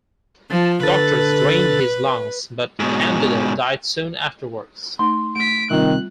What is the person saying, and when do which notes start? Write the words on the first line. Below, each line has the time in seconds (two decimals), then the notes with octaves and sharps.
Doctors drained his lungs, but Candido died soon afterwards.
0.51 F3 A5
0.83 D3 A4 B4 A6
2.80 G#2 B2
4.99 A3 D#4 C6
5.36 A3 B6 D7
5.71 C2 D#3 G3 C4 F4 F#6